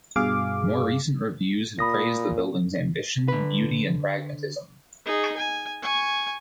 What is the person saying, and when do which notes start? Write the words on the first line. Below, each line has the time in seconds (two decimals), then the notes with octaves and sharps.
More recent reviews have praised the building's ambition, beauty, and pragmatism.
0.16 G2 B2 G#4 F5 D6
1.79 A#2 B5 D#6 A#6
3.28 D3 B4
5.06 D#4 G#4
5.37 G#5
5.83 G#5 C#6